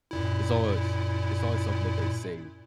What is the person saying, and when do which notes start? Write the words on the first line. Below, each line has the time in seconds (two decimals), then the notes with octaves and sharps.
it's always it's always something that they say,
0.11 F#2 A#2 E4